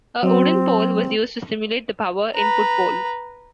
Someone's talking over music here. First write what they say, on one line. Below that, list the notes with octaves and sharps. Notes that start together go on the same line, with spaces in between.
A wooden pole was used to simulate the power input pole.
F#3 C4
B4 A#5